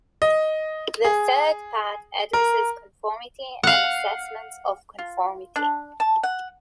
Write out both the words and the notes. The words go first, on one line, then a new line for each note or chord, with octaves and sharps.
The third part addresses conformity and assessments of conformity.
D#5
G#4
A#4
F5 F#5
F4
D4
A5
F#5